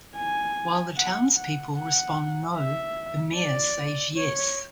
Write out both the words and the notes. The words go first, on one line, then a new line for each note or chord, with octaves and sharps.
While the townspeople respond no, the mayor says Yes.
G#5
F#5
F#5
F#5
E5
D5
C#5